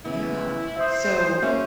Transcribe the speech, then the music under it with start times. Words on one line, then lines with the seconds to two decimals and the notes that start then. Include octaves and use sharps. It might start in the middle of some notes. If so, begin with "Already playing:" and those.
Yeah, so,
0.05 C#3 E3 B3 E4
0.76 F#4 C5 E5 D#6
1.42 A#3 B3 C#4 F#4 G#4 E5